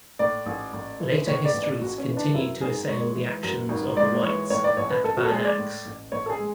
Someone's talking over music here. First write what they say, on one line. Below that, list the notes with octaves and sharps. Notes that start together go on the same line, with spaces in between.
Later histories continued to assail the actions of the whites at Bad Axe.
A2 D5
A1
A1
E3
A2 C#5
D5
A1
D5
A1 F#4
C#4
E3
D4
F#2 E4
G#1 G#4
G#3 C#5
E3
F#2
G#1
G#3 D5
E3 C#5
A2 C#5
D5
A1 C#5
B4
A1 A4
F#4
A4
G#3 G#4
D5
A2
A1
A1 C#5
A4
G#4
G#3